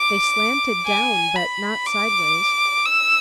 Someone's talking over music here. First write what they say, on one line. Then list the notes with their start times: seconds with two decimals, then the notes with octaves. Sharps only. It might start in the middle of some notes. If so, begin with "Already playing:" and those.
They slanted down but not sidewise.
Already playing: D6
0.87 G#5
1.36 B5
1.86 D6
2.85 E6